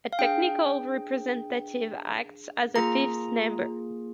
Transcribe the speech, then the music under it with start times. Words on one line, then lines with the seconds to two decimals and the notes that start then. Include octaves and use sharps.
A technical representative acts as a fifth member.
0.13 F5
0.19 D4 G#4 G5
2.76 A#3 F4 G#4 A#5